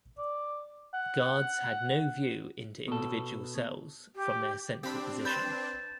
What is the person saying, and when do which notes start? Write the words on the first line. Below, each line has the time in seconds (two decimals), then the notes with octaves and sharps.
Guards had no view into individual cells from their central position.
0.18 D5
0.94 F#5
2.88 B2 A4
4.15 G4
4.83 C4 D4 G4 B5
5.25 B4 C5 G6 A6 E7